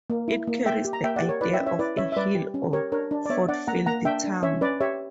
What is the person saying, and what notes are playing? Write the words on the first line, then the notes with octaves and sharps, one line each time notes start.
It carries the idea of a hill or fortified town.
A#3
E4
A#3
A#3 E5 G5
G4
A#5
A#3 E5 G5
D5 F#5
G4
A#4 C#5
E4 B4 D5
E5 G5
C#4
C#5 E5
E4 B4 D5
C#4 C#5 E5
E5
G3 B4 D5
G4
C#4
G4 A#4 C#5
D4 A#4 C#5
D4
D5
B3 C#5 E5
D4 D5 F#5
A#3 F#5 A#5
A#3 F#5 A#5
D4 E5 G5
D4
C#4 C#5 E5
C#4 B4 D5
G4 C#5 E5